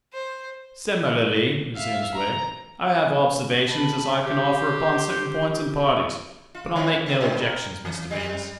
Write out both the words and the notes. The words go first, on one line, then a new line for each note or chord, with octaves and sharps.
'Similarly,' resumes Wegg, 'I have observations as I can offer upon certain points and parties; but I make no objections, Mr Venus.
C5
E5 F5
A#5
A5 B5
G4 C5
F4
D#3
B3
B2
A#4
E3
G3